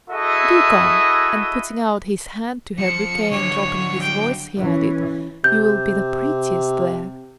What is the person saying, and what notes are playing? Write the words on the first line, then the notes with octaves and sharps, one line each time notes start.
Do come!" and putting out his hand to her bouquet and dropping his voice, he added, "You will be the prettiest there.
E4 F#4 G#4 A4 D#5 E5
F3 C#7
D3 F#3 C#5
G5
E3 C#4
C3 G6